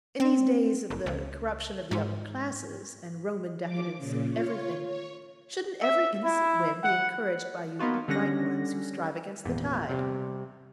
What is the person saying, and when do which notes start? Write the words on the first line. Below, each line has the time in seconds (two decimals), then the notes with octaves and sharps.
In these days of "the corruption of the upper classes," and Roman decadence of everything, shouldn't every innocent whim be encouraged by you upright ones who strive against the tide?
0.20 C4
0.90 F#1
1.06 C#2
1.91 G#2
3.64 F3 D6
3.97 A#2 C#3
4.31 F4 C#5
4.85 C#5
5.82 E5
6.24 E4
6.83 F#5
7.79 A#3 B3 D#4 F4 F#4
8.08 D3 G3 C#4 F#5 A#6
9.45 G#1 E2 A#2
9.89 C3 G3